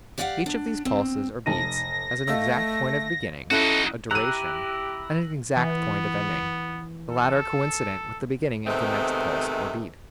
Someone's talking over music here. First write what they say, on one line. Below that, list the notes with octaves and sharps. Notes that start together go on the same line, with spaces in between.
Each of these pulses or beats has an exact point of beginning, a duration, and an exact point of ending, the latter coincident with the beginning of the next pulse or beat.
G4 D5 D#5 F5 F#5
D4
C4
F1 A5 A#6 D#7
A3 D#5 F5 E6
C#4 D#4 E4 F#4 A4 F#6
E4 G4 A#5 E6 F#6 A#6 D#7 F#7
E3 B3
A4
C3 D#3 G#3 A3 B3 C4